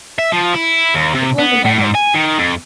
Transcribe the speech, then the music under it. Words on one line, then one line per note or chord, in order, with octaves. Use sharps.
It was a Level.
E5
F3
E4
D#2
C3
B3
A2
G#2
G#5
D#3
F2